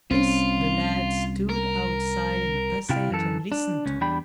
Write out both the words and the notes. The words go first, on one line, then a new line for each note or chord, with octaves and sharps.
This the lad stood outside in the passage and listened to.
C2 C4 C#4 F4
A#4
C3 E4 F4 G5
F#2 E3 A4
D4
C#2 C#4
E2 G3 D4 G5 B5